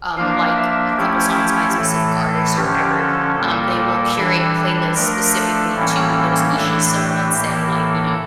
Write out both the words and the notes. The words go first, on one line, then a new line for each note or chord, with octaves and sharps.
um, like a couple songs by a specific artist or whatever, um, they will curate playlists specifically to those niches. So let's say, like, you know
F3 A#3 D4 F5
E5
F3 A3 C#4 E4 G4
A2 E3 A3 A4
A4
D3 F3 C#4 G4
A4
A#2 G3 A#3 A4
A4
E3 G3 D4 A4
F3 A3 D4 A#4
A4
A2 E3 G3 A#3 C#4
A2 E3 A3 D4 A4
G4
A2 E3 A#3
A4